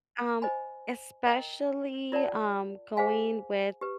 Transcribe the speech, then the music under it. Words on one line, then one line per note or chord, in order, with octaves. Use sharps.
um, especially, um, going with
C5 D#5 G#5 B5
A#4 D#5 G5 A#5
F4 A#4 D5 F#5 A5
G#4 C5 F5 G#5
G4 B4